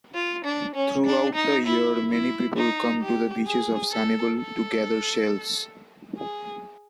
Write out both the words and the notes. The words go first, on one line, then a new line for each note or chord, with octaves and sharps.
Throughout the year, many people come to the beaches of Sanibel to gather shells.
F4
D4
C#4
D4
D#4
E4
E4
D#4
G4
G#4
A4
A4
G#4